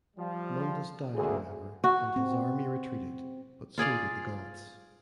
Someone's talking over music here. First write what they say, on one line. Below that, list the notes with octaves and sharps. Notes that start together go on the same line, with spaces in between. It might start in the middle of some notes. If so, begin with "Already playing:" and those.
Mundus died however and his army retreated but so did the Goths.
F3 G3
G#1 D2 A#3 G#4
F#4
C4
F4 G#4 D5 F5